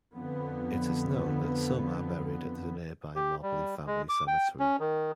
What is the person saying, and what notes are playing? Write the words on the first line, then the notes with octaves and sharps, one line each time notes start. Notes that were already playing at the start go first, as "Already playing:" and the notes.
It is known that some are buried at the nearby Mobley family cemetery.
F2 D3 B3
G4
G3
G#3
D6
G5
C#4
D#3